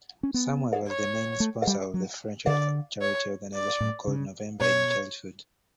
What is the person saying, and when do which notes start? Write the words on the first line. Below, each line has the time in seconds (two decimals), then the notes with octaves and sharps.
Samuel was the main sponsor of the French charity organization called November in Childhood.
0.23 C#4
0.34 B3
0.87 C#5
1.40 A3
1.67 G3
1.94 F#3
2.47 D3 D5
3.01 C#5
3.54 D5
3.81 A2
4.07 C#3
4.60 B2 C#5